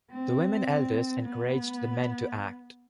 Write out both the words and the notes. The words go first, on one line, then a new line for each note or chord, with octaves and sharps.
The women elders encouraged the men to act.
C4
B3